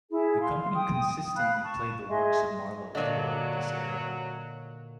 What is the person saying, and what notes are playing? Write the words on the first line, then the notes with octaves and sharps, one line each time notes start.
The company consistently played the works of Marlowe throughout this era.
E4 G#4
F5 C6
G5 D#6
F5 B5 F#6
A5 C#6
G#4 D#5 E5 C6
A#2 D3 F#3 D5 D#5